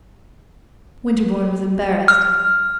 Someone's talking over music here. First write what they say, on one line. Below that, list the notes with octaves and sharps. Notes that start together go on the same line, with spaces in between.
Winterbourne was embarrassed.
F6